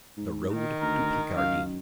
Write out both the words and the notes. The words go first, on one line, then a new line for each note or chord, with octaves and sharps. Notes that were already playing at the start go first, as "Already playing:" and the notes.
The Road to Picardy.
G#2
D#3
D2 A#4
F#2 F5